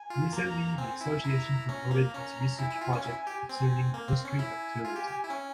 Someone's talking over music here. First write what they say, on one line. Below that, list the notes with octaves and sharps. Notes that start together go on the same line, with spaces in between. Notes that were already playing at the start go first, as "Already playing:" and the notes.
Recently the Association promoted its research project concerning the history of tourism.
Already playing: G#5
F4
A#3 A#5
C4 G#5
E4
E4 A#5
C#4 A#5
A#3
C#4 A#5
E4 G#5
E4
F4
C#4
E4 G#5
G4
C4 G#5
A#3
C4
C#4
E4 G#5
F4
G4
G4
E4
C#4